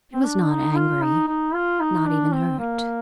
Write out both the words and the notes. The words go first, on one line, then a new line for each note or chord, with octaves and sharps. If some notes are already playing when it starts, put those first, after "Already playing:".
She was not angry, not even hurt.
C4
D4
D#4
F4
D#4
D#4
F4
D#4
D4
C4
A#3